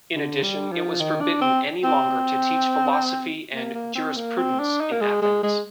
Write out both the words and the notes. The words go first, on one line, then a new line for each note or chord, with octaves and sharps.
In addition, it was forbidden any longer to teach philosophy and jurisprudence in Athens.
D3
G3
F3
D#3
D4
C4
C4
A#3
A#3
C4
A#3
C4
D4
D#4
A#3
G#3
G#3
G#3